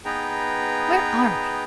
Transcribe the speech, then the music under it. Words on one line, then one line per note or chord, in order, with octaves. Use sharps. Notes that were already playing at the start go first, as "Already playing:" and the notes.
Where are we?
B3 D#4 G#4 B4 G5 A#5